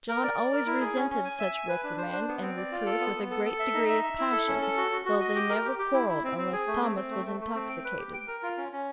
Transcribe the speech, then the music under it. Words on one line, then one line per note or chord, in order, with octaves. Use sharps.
John always resented such reprimand, and reproof, with a great degree of passion, though they never quarrelled, unless Thomas was intoxicated.
A#4
D5
D5
A#4
E4
G#4
C#4
C#4
G#5
E5
G#5
B4
D4
C5
D4
B3
C4
D5
F4
A4
B3
B3
A4
A4
E5
D#4
E5
E5
E4
A4
C#4
A4
F#4
F#4
F#4
D#5
G4
A#4
G4
G4
E4
E4
C4
C4
G#4
A3
C4
C4
A3
A3
A3
C4
G5
B4
G4
G5
A#4
F4
C#4
C#4